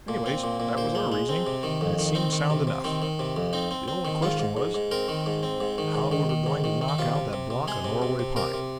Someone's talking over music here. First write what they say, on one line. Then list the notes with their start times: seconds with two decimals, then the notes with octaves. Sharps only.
Anyway, that was our reasoning, and it seemed sound enough; the only question was how we were going to knock out that block of Norway pine.
0.08 A#2
0.26 C4
0.44 A#2
0.60 A#2
0.77 A#2 C5
0.95 G#3
1.12 G#3
1.29 C4
1.47 C3
1.63 D#3
1.81 F2
1.99 D#3
2.15 C4 D#4
2.33 D#3
2.50 C3
2.67 C3
2.84 D#3 C4
3.02 D#3
3.19 C3
3.36 F2
3.53 C4 D#4
3.71 C4
3.88 C4
4.05 D#3
4.22 G#2 F4
4.40 G#2
4.57 G#2
4.74 G#2
4.91 C4 A#4
5.08 D#3
5.26 G#2
5.43 C4
5.61 G#2
5.78 D#3
5.95 G#2
6.12 D#3
6.29 D#3
6.46 G#2
6.64 D#3
6.81 D#3
6.88 D#4
6.98 C3 F4
7.15 C3
7.33 C3
7.50 C3
7.68 G#3 G#4
7.85 C3
8.02 C3
8.19 C3
8.36 C3 A#4
8.54 C3